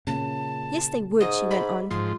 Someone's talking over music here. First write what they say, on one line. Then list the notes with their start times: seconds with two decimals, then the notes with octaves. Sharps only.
"Yes, they would," she went on.
0.07 A#2 C#3 A5
1.20 G#2 D#6
1.51 B5
1.91 G#2 F3 C6